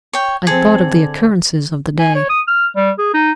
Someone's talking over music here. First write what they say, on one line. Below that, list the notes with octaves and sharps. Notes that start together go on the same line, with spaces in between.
I thought of the occurrences of the day.
C#5 G5
F3 C4 G#4 A4
D3
G#5
C#5
D#6
F6
G3
G#4
D#4